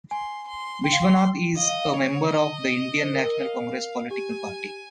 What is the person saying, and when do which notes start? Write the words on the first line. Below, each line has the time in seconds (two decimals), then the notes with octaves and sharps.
Vishwanath is a member of the Indian National Congress political party.
0.11 G#5 C6
0.48 C6
0.84 G5 C6
0.92 F5
1.01 G5
1.56 D#5 F5
1.69 F5
1.81 F5
1.93 C#5
2.29 D#5
3.02 C5
3.14 A#4
3.25 A#4
3.38 F5
4.11 G4 G#5